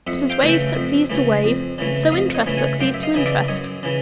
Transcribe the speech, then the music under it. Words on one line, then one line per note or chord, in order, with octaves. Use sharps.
But as wave succeeds to wave, so interest succeeds to interest.
F2 E5 F#5
F5 G5
C#3 E3 A3
G5
E5 F#5
F2
C#3 E3 A3
F2
C#3 E3 A3
F2 D#5 F5
C#5 D#5
C#3 E3 A3
F#5 G#5
F#2 F5 G5
E5
D#5 F5
C#3 E3 D#5
D5 E5
F#2 C#5 D#5
C#3 E3